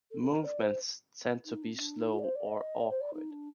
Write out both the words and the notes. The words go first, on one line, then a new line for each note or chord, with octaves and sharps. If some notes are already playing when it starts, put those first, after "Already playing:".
Movements tend to be slow or awkward.
A4
A4
A#4
D5
C5
D#4
D4
C4
D4
D#4
F4
D5
C5
D5
D#5
D5
C5
D5
D#4
D4